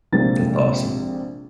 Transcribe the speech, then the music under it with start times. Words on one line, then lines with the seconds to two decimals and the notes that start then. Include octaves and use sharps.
That's awesome.
0.12 A#1 C3 G#3 A#3 C5 A6